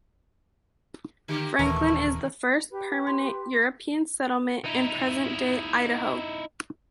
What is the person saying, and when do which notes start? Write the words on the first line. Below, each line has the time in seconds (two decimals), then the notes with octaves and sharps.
Franklin is the first permanent European settlement in present-day Idaho.
1.28 D3 A#3 G4
1.59 D#1 C3 D#3 E3 A3 A#4 A#5
2.69 G4 B4
3.07 C6
4.65 D#4 E4